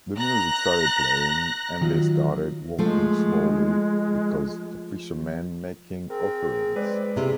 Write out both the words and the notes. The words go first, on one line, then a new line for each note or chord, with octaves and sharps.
The music started playing and they started walking slowly because the fishermen making offerings.
A#5 F#6 A#6
D#3 F#3 F4
F3 G#3 A3
C4 G#4 A#4
G#3 B4 C5 D5
C3 E4 G#4